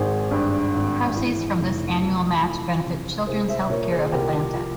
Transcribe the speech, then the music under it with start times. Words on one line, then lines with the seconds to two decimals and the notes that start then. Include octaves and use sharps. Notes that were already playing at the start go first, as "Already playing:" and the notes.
Proceeds from this annual match benefit Children's Healthcare of Atlanta.
Already playing: G#1 G#4 C5
0.31 G2
0.74 G#1
1.16 E3
1.59 F1
2.01 F2
2.43 E3
2.85 C3
3.27 C2 G#4 C5
3.48 C5 E5
3.70 A#2 A#4 C#5
3.81 A#4
3.91 G#4 C5
4.12 C2 G4 A#4
4.54 F3